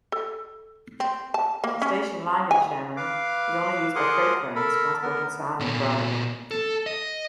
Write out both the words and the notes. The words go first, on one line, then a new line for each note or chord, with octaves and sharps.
The station Langenschemmern is only used by freight trains, transporting sand and gravel.
A4
C4
A5
A#3
C#4
G#5
B4 F5 D6
G#4 A#4 F#5 C6 D6 D#6
A4 A#4 B5
B3 A#4
A#2 B3
A4
D#5